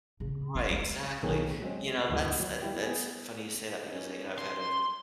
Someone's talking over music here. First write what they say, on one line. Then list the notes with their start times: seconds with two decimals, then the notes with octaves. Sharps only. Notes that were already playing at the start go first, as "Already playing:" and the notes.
Right, exactly. You know, that's that that's funny you say that, because, a you know, I've had a,
0.20 C#3
0.55 C#4
0.70 G#3
1.23 B1 D#3 A#3 G#4 C#5 G5
1.62 F#3 G#3 C4 C#4
2.09 D2 G2 E3 F#4 B4 D#5
2.39 F#3
2.62 G3 E4 G4
2.82 B3 G#4
3.88 C#4 D#4
4.38 C6